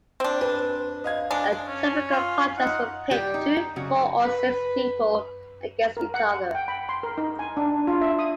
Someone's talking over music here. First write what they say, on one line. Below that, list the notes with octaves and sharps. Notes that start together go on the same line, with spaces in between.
A typical contest would pit two, four or six people against each other.
C4 D4
B4
D#5 F5 G#6
G#3 D4
C#4
F4
D#4 F#5
G3 G4
D#4
C#3 F#3 F#4
B4
A#4
F#5
G5
B5
C6
A#4
D#4
G#5
D4
F4
E5
D#6